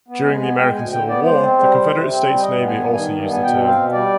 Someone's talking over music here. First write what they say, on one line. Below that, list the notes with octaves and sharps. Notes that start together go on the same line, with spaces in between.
During the American Civil War, the Confederate States Navy also used the term.
B3
G#3 G#5
B3 G#5
G#3 G5
D2 G#5
D3 G5
B3 D5
G#3 C5
C4
G3
F2
C3
C4
G3
G2 D#5
B3
G#5
G2
D#3 G#5
G2
B3
G#5
B2 G5
C4
F5
B2
G3 D5